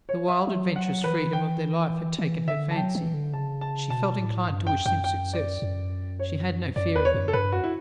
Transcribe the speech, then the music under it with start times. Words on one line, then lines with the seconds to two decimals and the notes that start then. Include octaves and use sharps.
The wild adventurous freedom of their life had taken her fancy; she felt inclined to wish them success; she had no fear of them.
0.09 C#5
0.28 E5
0.47 F#3 E5
0.76 F#5
1.04 E3 B4
1.33 G5
2.19 E3
2.48 D3 E5
2.71 A5
2.76 F#3 G5
2.95 E3
3.14 D3
3.33 C#3 A5
3.61 A5
3.90 B2 A5
4.19 A2
4.47 G2
4.66 F#2 G5
4.86 F#2 G5
5.04 G5
5.33 D5
5.62 F#2
6.19 C#5
6.76 F#2 D5
6.95 E2 B4
7.05 C#5
7.14 F#2
7.28 A4
7.33 G2 B4
7.52 F#2 F#4
7.64 E4